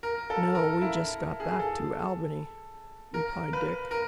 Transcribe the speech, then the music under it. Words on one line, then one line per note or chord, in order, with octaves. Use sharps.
"No, we just got back to Albany," replied Dick.
A#4
A4
A#4
E4
G#4
A4
A#4
B4
A#4